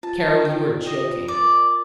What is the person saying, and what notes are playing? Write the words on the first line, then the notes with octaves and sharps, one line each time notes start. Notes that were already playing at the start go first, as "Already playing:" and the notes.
"Carol, you are joking."
F4 A5
F4
F4 G5
D5
F4 D#5
F4
A#4 D5
A#4